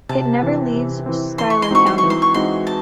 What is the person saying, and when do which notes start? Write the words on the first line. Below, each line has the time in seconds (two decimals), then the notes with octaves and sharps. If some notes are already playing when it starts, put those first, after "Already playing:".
It never leaves Schuyler County.
0.09 C3 A5
0.42 E3 C4
0.74 C3
1.06 E3 C4
1.38 E3 C6
1.50 C#6
1.62 C6
1.71 G#3 C4 D#4 F#4 C#6
1.86 C6
1.98 C#6
2.03 E3
2.10 C6
2.22 C#6
2.34 G#3 C4 D#4 F#4 C6
2.67 A5